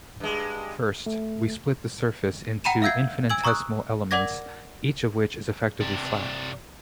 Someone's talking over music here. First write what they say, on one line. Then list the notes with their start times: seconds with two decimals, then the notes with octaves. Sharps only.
First, we split the surface into infinitesimal elements, each of which is effectively flat.
0.20 G2 G#3
1.06 A3
2.64 F#5 G5 A#5 B5 D#7 E7
2.82 E5 F5 E6 G6 G#6 C7
3.30 G#5 E6 G#6 F#7
3.44 A#5 C#6 D#6 E6 F#6
4.11 A#4 D5 F#5 D6 G#6 A#6
5.81 C3 D4